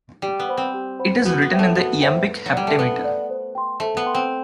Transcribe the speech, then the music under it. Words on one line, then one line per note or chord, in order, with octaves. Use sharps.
It is written in the iambic heptameter.
G3 G4
B3
C5 F#5 B5
C4
G4
C5 F#5 B5
B3 F#4
B3
C5 E5 G5
A3
B3 F#4
C5 E5 G5
B4
F#3
G3 D5 F#5
A3
B3 B4
D5 F#5
C5
G5 C6
A3 C5
B3
G5 C6
C4